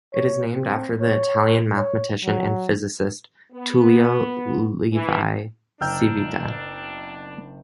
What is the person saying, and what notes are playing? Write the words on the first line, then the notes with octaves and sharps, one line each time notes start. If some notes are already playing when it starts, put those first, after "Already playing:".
It is named after the Italian mathematician and physicist Tullio Levi-Civita.
C#5
C4
C#5
C#5
F#3
B3
E3
F#1 B2 D4 G5 A#5 E6 F6 G6